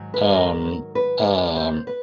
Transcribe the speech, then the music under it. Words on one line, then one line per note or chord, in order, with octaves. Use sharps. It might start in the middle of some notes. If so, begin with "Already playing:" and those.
Um, um,
Already playing: G#2 D#3 F#3
B4
A#4
B4
C5
B4